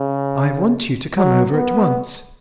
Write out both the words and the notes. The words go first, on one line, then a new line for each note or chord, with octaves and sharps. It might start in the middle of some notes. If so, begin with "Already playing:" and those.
"I want you to come over at once."
Already playing: C#3
F#3
B3